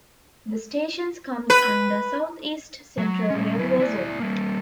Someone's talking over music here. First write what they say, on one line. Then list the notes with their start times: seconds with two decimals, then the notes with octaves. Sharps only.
The stations comes under South East Central Railway Zone.
1.50 B4
2.98 F#3
3.30 G3 C#4
3.59 F#3 E4
3.79 E4 D5
4.20 G3 A#3